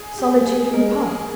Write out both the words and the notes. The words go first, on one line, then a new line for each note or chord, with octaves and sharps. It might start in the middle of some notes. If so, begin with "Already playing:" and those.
Solitude in the Park!
Already playing: G#4
G4
A#3
G#4
G#3 A#4
G#4